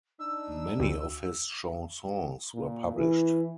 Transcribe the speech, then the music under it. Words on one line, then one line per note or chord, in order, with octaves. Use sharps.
Many of his chansons were published.
D4 D#4 E6
D2
A#2
E3